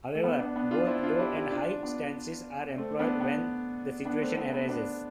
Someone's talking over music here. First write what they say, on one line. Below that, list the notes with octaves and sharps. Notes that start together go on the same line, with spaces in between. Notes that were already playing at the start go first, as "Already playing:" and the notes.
However, both low and high stances are employed when the situation arises.
A3
B3
B3 D4
B3 D4
D4 F4
C4 E4
D4 F4
E4 G4
E4 G4
D4 F4
B3 D4
A3 C4
B3 D4
B3
B3 D4
A3 C4
B3
B3
B3 D4